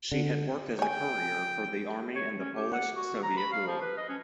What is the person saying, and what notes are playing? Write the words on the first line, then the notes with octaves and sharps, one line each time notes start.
She had worked as a courier for the army in the Polish-Soviet War.
D3
C#5 G5 G#5
C#5
C#4
G4
F#5
F#4
A#5
B5
F5
F3
B4
D#5
C#4